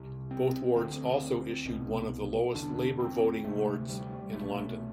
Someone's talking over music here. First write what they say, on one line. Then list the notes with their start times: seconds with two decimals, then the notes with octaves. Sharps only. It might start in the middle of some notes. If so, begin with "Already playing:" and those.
Both wards also issued one of the lowest Labour voting wards in London.
Already playing: C2 C3
0.31 C4
0.76 D2 D3 C4
1.65 C2 B2
2.54 E2 D3 D4
3.00 C4
3.44 D2 C3 A3
3.89 G3
4.33 C2 B2 A3